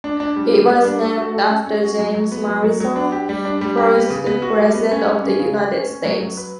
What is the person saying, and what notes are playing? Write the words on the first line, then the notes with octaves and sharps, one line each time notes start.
It was named after James Madison, fourth President of the United States.
D4
D4
G3
G3
G3
D4
A4
F#4
A4
C#4
C#4
F#4
F#3
F#3
B3
F#3
F#3
F#3
D4
G4
G3
D4
G3
G4
B3
C#3
B3
F#4
G3
B3
C#4
G3
C#4
C#3
G4
C#4
C#4
F#3
F#3
B4